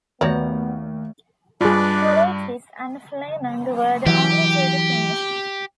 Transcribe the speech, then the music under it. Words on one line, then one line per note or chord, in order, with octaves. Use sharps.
Kolettis and Flameng were the only two to finish.
D#2 A3 B3 F#4 C#5 D5 E5
G2 G3 D4 F4 G#4 B4 D5
E3 F#3 G4